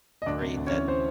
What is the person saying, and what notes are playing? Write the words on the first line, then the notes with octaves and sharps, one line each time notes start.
great that,
D#5
D2 D4 D5
C3
D2
C#4 C#5
E3
C4 C5